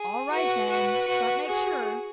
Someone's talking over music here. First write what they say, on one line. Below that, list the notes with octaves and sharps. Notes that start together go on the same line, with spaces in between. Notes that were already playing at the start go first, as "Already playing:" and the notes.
"All right, then, but make sure."
Already playing: G#4
F#4 B4
F#4
F#4
F#4 G#4